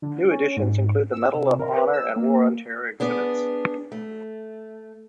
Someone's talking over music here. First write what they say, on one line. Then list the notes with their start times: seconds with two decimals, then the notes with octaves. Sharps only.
New additions include Medal of Honor and War on Terror exhibits.
0.02 D3
0.30 C#4
0.57 G#2
1.13 E6
1.34 C3
1.59 A#4
1.77 B4
1.93 E6
2.16 A#3
3.00 B3 D4 G#4
3.92 A3